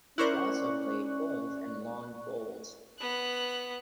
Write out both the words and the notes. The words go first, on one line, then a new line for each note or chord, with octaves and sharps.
She also played golf and lawn bowls.
C#4 E4 A#4 C5 D5 C#6 F#6
B3 F#6